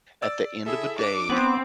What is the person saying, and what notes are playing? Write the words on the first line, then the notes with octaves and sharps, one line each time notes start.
at the end of a day
D5 E6 A6
E4 G#4 A4 E5
D4 D6
B3 C4